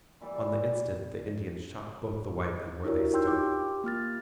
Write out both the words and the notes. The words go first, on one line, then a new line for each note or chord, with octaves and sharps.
On the instant the Indians shot both the white men where they stood.
A#2 E3 G3 D5
D4 E4 F#4 G4 A#4 C#5
D#4 G5 C6 E6 G6
F4 G4 G5 D6
A#3 F4 F6 A6